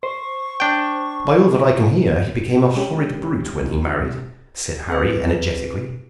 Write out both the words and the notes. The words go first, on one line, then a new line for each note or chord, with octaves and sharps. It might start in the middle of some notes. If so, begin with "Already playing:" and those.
"By all that I can hear, he became a horrid brute when he married," said Harry, energetically.
C5 C#6
D4 G5
G#3 C#4 G4
C4 G#4 B4